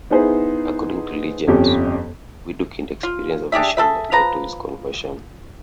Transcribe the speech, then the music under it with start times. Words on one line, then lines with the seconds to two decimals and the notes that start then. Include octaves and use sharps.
According to legend, Widukind experienced a vision that led to his conversion.
0.10 B3 D#4 E4 G#4 C5
1.47 G1 F2 C#4 G4
3.03 F4
3.52 D4 G4 G#4 E5
3.77 G#4 A4 B4 E5
4.12 F3 B4 A#5